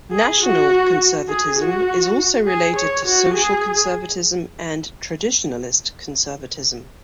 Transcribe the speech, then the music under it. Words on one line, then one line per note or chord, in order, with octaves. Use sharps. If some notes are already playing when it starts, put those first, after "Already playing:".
National conservatism is also related to social conservatism and traditionalist conservatism.
G#4
F#4
G#4
F#4
G#4
C#5
F#4
G#4